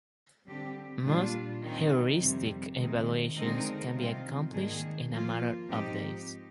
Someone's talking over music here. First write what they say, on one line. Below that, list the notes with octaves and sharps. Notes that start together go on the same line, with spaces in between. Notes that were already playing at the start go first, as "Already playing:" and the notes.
Most heuristic evaluations can be accomplished in a matter of days.
D3 G3 C4 G4
A#2 G3 D4 F4
D#3 G3 C4 D#4
F2 C3 D#3 G3 C4
C3 D#3 G#3
D3 G#3 C4 D#4 A#4
C3 D#3 G3 C4 F4
G#2 D#3 A#3 D4 G#4
F3 A#3 F4
G#2 F3 C4 D#4 G4